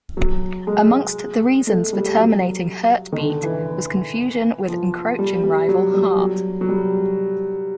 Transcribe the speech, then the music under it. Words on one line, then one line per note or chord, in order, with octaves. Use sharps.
Amongst the reasons for terminating HertBeat was confusion with encroaching rival Heart.
F#3
G#3
A3
G3
F#3
D#3
D3
E3
F3
G3
G3
F#3
G3
F#3
F#3
G3